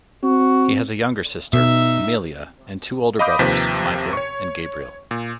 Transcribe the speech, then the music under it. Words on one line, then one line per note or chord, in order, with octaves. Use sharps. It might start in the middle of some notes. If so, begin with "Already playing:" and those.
He has a younger sister, Amelia, and two older brothers, Michael and Gabriel.
C4 F#4
B2 D#4 E5
D#5 F5 B5 D6 D#6 G6
D#2 C3 F3 B4 B6
C#5 C#6
A#2